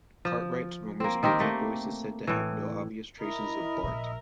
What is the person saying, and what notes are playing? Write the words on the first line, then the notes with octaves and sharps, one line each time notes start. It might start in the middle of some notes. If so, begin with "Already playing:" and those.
Cartwright's normal speaking voice is said to have "no obvious traces of Bart".
F3
A#3 C4
D#3 C4 G4 A#4
A3 A#3
A2 E3
E4 A#4 D#5 B5
A#1 A#2 E5